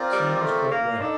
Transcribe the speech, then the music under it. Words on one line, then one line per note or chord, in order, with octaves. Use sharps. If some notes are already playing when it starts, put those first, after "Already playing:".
'Sam is quite right.
Already playing: C4 F4 A#4 D5
G3
G3
A3
A#3
D4 D#4 A4